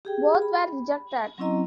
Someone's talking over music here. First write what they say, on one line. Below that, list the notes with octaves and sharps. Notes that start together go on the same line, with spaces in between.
Both were rejected.
G4 G#4 G5
B5
F#3 C4 C#4 E4 D#5 A#5